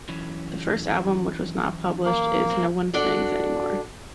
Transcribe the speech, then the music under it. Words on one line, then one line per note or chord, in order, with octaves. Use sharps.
The first album, which was not published, is: “Nobody Sings Anymore”.
E3 F#3 C#4
A#3
F#3 C4
D4 F#4 A4 D5